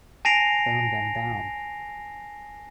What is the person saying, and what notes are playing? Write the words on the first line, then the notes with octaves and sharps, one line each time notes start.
Turn them down!
G#5 A5 A#6 C7 D7 F7